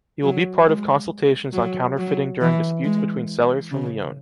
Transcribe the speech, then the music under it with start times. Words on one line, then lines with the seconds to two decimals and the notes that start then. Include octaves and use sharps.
He will be part of consultations on counterfeiting during disputes between sellers from Lyon.
0.23 F#3
0.67 G#3
1.53 F#3
1.97 F#3
2.41 E3
2.84 G#3
3.72 C#3